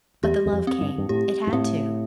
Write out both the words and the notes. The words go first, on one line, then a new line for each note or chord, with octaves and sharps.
But the love came ... it had to.
E2 G4
E2
F2
C4
G2
G2
A2 G4
G2
A2 C4